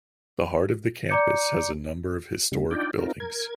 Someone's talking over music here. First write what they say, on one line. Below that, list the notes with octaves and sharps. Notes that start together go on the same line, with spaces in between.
The heart of the campus has a number of historic buildings.
D5 A#5 D6 G6 C#7
C#3 G3
D4 D#4 F4 D5 G5
C4 D#4 F4 A#4
A#4 G#6